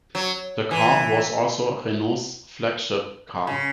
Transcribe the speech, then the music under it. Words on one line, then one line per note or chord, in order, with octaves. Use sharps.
The car was also Renault's flagship car.
F#3
E3
C#3